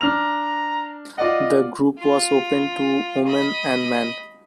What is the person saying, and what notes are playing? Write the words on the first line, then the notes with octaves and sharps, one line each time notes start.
The group was open to women and men.
D4 A#5 F6 F7
F4 D5 D#5 F#5
F4
D#5 B5